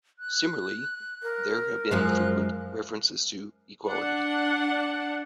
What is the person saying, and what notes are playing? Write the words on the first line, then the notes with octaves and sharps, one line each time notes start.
Similarly, there have been frequent references to equity.
F#6
A#4
F#2 F3 G#3 F#6
D4 F#5